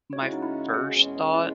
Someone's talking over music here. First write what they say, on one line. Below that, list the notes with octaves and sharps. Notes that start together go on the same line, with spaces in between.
my first thought
F#2 C#3 G#3 C#4 F#4 C#5
E4
D#4
E4
G#4
E2 B2 G#3 C#4
E4